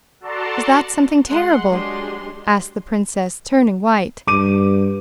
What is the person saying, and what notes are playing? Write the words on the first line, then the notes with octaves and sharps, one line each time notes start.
"Is that something terrible?" asked the princess, turning white.
F#4 A4 D5 A5 A#5 C6
G#3 F#5 C6
F#3 G#3 D4 G4 C6
G2 D6 D#7